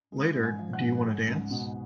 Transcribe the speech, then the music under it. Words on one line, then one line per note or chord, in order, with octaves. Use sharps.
Later, Do You Wanna Dance?
G#3
G#2
G#5 G#6
F3
F#5 F#6
G#2
G#3
C#2
B2